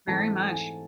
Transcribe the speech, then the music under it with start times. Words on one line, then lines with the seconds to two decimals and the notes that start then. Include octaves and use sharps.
Very much.
0.07 G#2 E3 A3 C4 A5
0.52 G#5